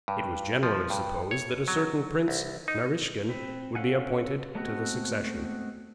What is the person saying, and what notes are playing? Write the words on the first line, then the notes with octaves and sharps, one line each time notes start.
It was generally supposed that a certain Prince Naraskin would be appointed to the succession.
G2
F3
G2
C#5
F#3
C2
D#4
C4 B4
C#4 A4 F5 F#5 G#5
G#3 A3 B3 C4 F#4